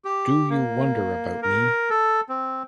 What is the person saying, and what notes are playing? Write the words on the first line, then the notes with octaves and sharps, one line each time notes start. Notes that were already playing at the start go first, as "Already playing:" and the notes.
Do You Wonder About Me?
G4
A#3
A#4
A4
C4